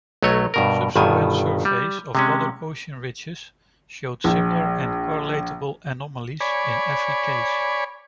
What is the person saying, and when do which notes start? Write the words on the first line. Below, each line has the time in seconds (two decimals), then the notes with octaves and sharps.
Subsequent surveys of other ocean ridges showed similar and correlatable anomalies in every case.
0.23 B1 F#3 A3 C#5 D#5
0.54 G2 B2 A#4
0.96 G1 G2 B2 D#3 G#5
1.65 G3
2.15 C3 G#3 C#4
4.24 A#1
6.40 C#5 D5 G#5 B5